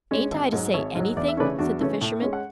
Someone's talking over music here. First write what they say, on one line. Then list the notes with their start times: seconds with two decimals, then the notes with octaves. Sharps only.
"Ain't I to say anything?" said the fisherman.
0.11 G#3 C#4
0.32 G#1
0.53 G#2 F#3
0.73 G#1 C#5 E5
0.95 G#2 F#3
1.16 E2 D5
1.28 E5
1.37 C#3 E3 A3 C#4 B4 D5
1.59 E2 D4 F#4
1.80 C#3 E3 A3 C#4
2.01 A2
2.22 G#3 C#4
2.33 F#5